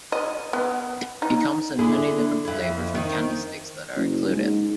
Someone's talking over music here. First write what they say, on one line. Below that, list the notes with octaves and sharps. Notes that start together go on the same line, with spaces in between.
It comes in many different flavors with candy sticks that are included.
D#5
B3
D#4
D3 E4 G#4
F2 E4
D#3 D#4
F#1
G#2